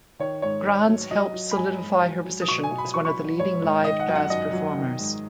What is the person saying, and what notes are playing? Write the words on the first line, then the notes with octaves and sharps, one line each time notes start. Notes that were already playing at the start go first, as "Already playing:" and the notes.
Granz helped solidify her position as one of the leading live jazz performers.
D#3 C#5
G#2 C#5
G#2
F#3
F#3 D#5
F#3
B5
G#2 G#5
G#2
F#3
F#3
D#6
B2 C#6
G#5
B2
B5
F#3 C#6
C#6
B5
F#3
G#2 C#5
G#2
D#3 D#5
F#5
F#2
F#5
F#2 D#5
F#3
D#3
G#2